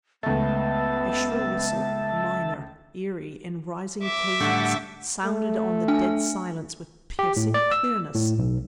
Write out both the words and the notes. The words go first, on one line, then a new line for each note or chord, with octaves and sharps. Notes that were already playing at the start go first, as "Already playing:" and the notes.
A shrill whistle--minor, eerie, in rising cadence--sounded on the dead silence with piercing clearness!
C#2 A3 B3 E5 A5
E5 D6
A2 D3 G3 F#4 A4 C#6
A3
D4 G#5
G4
A2
D5
E6
A2
B1